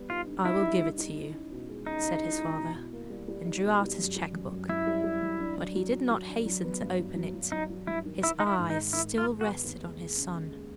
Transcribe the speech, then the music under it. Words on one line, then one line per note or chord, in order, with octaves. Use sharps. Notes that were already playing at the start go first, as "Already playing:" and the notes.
"I will give it to you," said his father, and drew out his check-book. But he did not hasten to open it; his eyes still rested on his son.
Already playing: G3 B3
D#4 F4
D3
D#4 E4
G3
G3
D#4
E4
C#4
B2
G#3
C#4 D#4
G#3
E4
E4
B2
B2
A#3
G3
G3
D#4
B2
G3
F#2
G3
F#2
F#2
F#2 E4
G3
G3
F#2
D4
F#3
F#3
F#3
F#3
D4
F#3
B3
G2
F#3
F#3
F#3
F#3 D#4
F#3
G2 E4
D#3
D#3 E4
D#3 D#4
E4
G#2
D#4
G#3
D#3 E4
B3
F4
G#3
F#4
B3
D#2
G#3
G#3
C#3
G#3
G#3